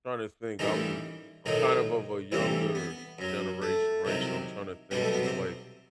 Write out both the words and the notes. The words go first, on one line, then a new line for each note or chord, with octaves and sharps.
Tryna to think, I'm I'm kind of of a younger generation, right? So, I'm tryna to think of like
A1 G2 D#3 E3 D#4
B1 A2 D#3 F#3 D#4
A1 G2 C3 E3 G3 C4
B3
F#2 F#3
A3
C2 C3 D#3 F#3
B1 B2 G3 B3
A3
B3
C3 C4